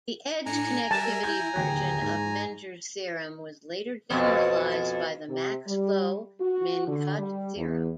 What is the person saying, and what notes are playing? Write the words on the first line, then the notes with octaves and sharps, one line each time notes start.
The edge-connectivity version of Menger's theorem was later generalized by the max-flow min-cut theorem.
A2 D4 G#5 A#5 C#7
G3 A#4 E5 A5
E4 G6 G#6
D1 D#2 G5 A#6
G#2
F2 B2
C3
G3
F#4
D3
G3
E2